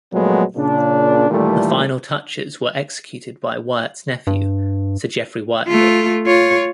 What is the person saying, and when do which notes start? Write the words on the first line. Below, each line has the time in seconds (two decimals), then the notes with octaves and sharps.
The final touches were executed by Wyatt's nephew Sir Jeffry Wyatville.
0.13 A#2 F3 F#3 G#3 A3 B3
0.56 A#2 C#3 D4
1.30 A#2 D#3 E3 G3 A3
4.27 G2
5.68 A3 F4
6.27 F4 C#5